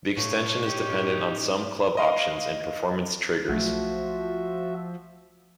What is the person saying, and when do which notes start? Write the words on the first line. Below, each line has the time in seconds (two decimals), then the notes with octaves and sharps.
The extension is dependent on some club options and performance triggers.
0.17 A2 A3 F4 A4 C#5
0.66 C#4 D#4 G4
1.97 D#5 F5
3.49 B1 F3 F#3 A3 F#4 E5